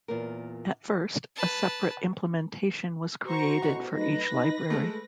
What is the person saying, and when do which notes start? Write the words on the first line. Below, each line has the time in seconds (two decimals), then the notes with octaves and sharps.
At first a separate implementation was created for each library.
0.08 E2 A#2 A#4
1.36 B4 A5
3.26 F#4 C5 A#5 C#6
3.62 A1 B2 F#4
3.93 F#3 A3 D#4 B4 A#6
4.33 D#4
4.70 G#3 A3 A4